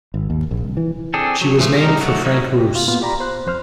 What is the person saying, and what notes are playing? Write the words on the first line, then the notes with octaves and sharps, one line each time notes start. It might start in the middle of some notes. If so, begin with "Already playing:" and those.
She was named for Frank Bruce.
G#1
D#2
A#1
C2
E3
C4 D4 G#4 A4
F#3
E3 F3 A3
G3 D#4 A#4
F#3 A3 F#4
C#4 D#4 E4
G4
F4
A#2 A#3 B3 F4
G4 D5 A#5 B5
C5 F#6
F2 C5 F6